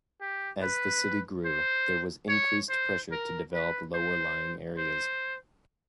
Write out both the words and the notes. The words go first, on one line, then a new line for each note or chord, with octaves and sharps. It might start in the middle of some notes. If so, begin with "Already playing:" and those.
As the city grew, there was increased pressure to develop lower-lying areas.
G4
B4
C5
C#5
C5
A#4
B4
C5
C5